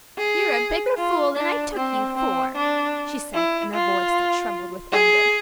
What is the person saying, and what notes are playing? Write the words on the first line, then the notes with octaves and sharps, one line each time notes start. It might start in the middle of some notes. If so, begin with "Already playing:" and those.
"You're a bigger fool than I took you for," she said in a voice that trembled with anger.
G#4
F4
D4
C4
C4
D4
E4
F4
G#4